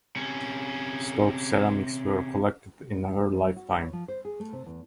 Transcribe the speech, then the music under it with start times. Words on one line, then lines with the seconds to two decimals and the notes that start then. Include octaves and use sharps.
Stokes ceramics were collected in her lifetime.
0.16 C3 C#4
3.31 F2
3.44 F#3
3.56 F#4
3.69 D3
3.80 C#5
3.93 F3
4.08 C5
4.25 G#4
4.40 A3
4.53 C3
4.66 E2